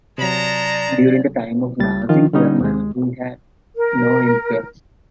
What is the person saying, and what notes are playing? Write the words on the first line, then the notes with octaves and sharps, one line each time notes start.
During the time of Nazi Germany he had no influence.
C3 F#3 G#3 D5 A5 A#5
C#2 G3 A6
D#3 F3 F4
D3 G3 C#4 D#4
D#2 G#3
A#4